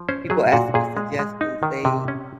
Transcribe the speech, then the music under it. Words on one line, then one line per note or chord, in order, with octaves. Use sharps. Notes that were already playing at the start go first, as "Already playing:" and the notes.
people ask for suggestions, they
Already playing: F3
C#4 C5
F#3 G#4
A#2 F#4
A#2 G#4
G#3
G#3
D#4
D#3
C3
C#4